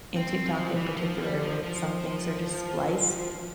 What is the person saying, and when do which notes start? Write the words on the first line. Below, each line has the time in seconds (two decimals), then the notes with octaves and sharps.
in TikTok in particular, where some things are just spliced,
0.16 C4
0.45 F3
0.75 E3
0.97 F3
1.18 G3
1.41 F3
1.63 F3